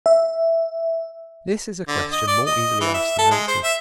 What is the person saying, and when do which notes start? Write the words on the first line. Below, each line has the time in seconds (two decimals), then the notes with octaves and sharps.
This is a question more easily asked than answered.
0.06 E5
1.88 D3
2.12 D#5
2.27 D5
2.46 D#5
2.81 E3
2.94 E5
3.18 A4
3.31 G#3
3.48 C5
3.64 E5